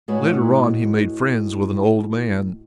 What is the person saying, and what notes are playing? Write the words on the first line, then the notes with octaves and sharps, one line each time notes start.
Later on he made friends with an old man.
A2 G#3 F#4 B4 C#5